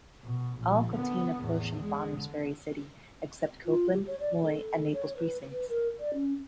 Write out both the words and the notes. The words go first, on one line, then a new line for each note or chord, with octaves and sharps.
All contain a portion of Bonners Ferry City except Copeland, Moyie, and Naples precincts.
B2
A#1
D3 B3
E2 A2
G#3
D3
F4
G4
C#5
D5
A4
C#5
B4
B4
A#4
D5
C#4